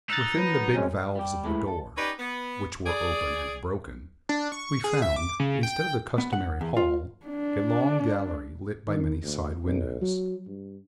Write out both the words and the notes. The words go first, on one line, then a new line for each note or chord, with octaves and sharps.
'Within the big valves of the door--which were open and broken--we found, instead of the customary hall, a long gallery lit by many side windows.
D#4 E6 F#6 A6
F#3 B3
F#2 F#3 G#3 C4 C#4
G3 G4
G#3 A3 E4 B4
A4
C#4 D#4 G4 B4 D5 D#5
B3
G#4 D5
D4
C#6
G#4
E5
D6
C#3
G5
B3
F#5
E2
F4
D4
D#3
D2
B1
F#3
G2